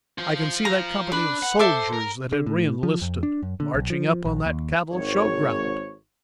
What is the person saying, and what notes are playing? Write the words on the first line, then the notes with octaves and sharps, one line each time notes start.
I can see that company of soldiers that had re-enlisted marching up on that cattle-show ground.
F4 C5
A#5
D4 B4
F#5
A4 C5 E5 D6
A#4
D3
A2
F3
F2
D4
F#2
D3
B1
F3
A#1
D#2
G#1 C#5